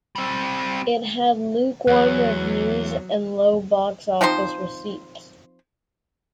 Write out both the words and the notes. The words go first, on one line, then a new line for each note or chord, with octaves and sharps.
It had lukewarm reviews and low box-office receipts.
G3 C4
E2 F#3 C#5 F#6
F3 C4 D#4 C5